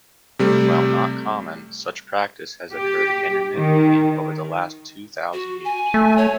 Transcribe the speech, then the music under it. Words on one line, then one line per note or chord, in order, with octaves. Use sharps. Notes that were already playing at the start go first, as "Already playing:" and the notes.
While not common, such practice has occurred intermittently over the last two thousand years.
C3 G3 A3
G4
D#3
F#4
G#5
A3
C#5